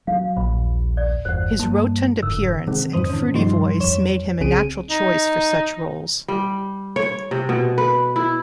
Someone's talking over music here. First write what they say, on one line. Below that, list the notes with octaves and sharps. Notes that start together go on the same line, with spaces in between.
His rotund appearance and fruity voice made him a natural choice for such roles.
F#3 F5
A#1 D#2 A#2 B5
D5
G1 E2 C5 F#5
G2 A#3 A5
F1 G#2 D3 E6
C3 D#3 G#3 C4
F2 G#2 D#3 C5 D#6
D#3 C#4
G2 C3 F3 G3 D#4 C6
F2 C#5 E7
C2 C#3 C4 G#4 D7 D#7
D#4
G3
C#5
C3
B2
B4
E4